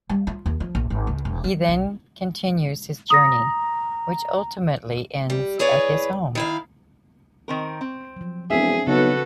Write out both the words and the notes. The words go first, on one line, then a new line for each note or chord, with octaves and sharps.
He then continues his journey, which ultimately ends at his home.
G3
F4
D#2
F3
A#1
G#1
C#2
E1
F#3
B1
A#5 D#6 A#6
G3
E4 G#4 B4 C#5 D5
D#3 E4 F5
D#3 C4 A#4
C4
F3 F#3
E1 C4 D4 G#4 E5
B1 C#3 F#4 A4 B4